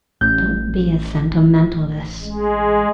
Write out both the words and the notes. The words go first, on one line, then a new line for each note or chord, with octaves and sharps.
Don't be a sentimentalist.
A1 G6
G#3